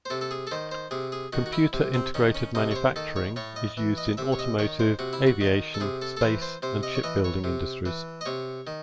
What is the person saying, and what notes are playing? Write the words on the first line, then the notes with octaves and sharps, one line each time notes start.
Computer-integrated manufacturing is used in automotive, aviation, space, and ship building industries.
C5
C3 A4
A4
G#4
A4
D#3 C5
C5
C3 G#4
G#4
D#3 F#4
F#4
E4
C3
C4
D#3 C#4
C#4
C3 D#4
C#5
C5
D#3 A4
C#5
A2 C#5
D#5
E3
D#5
C3 E5
C#5
D#5
D#3 C#5
C5
C3 F#4
E4
F#4
D#3
A4
C3 G#4
A4
A4
E3 C5
C5
C3 C5
D#5
C#5
E3 D#5
C#5
C3
E3
D#5
C3 C#5
D#3